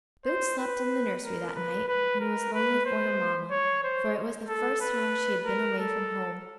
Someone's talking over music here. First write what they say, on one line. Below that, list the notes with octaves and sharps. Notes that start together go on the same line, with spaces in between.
Boots slept in the nursery that night and was lonely for her Mamma, for it was the first time she had been away from home.
C5
B4
A#4
B4
B4
A#4
B4
C5
C#5
C5
A4
B4
A#4
A4